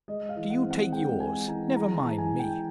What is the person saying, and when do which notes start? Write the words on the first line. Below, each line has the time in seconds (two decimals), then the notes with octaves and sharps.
Do you take yours; never mind me.'
0.08 G#3 D#5
0.29 F5
0.36 E3
0.50 F#5
0.64 C4
0.71 F#5
0.92 G#3 G5
1.20 G#3 G#5
1.48 E3 A#5
1.76 G#3 A#5
1.96 A5
2.04 E3
2.18 G#5
2.32 E3
2.39 G5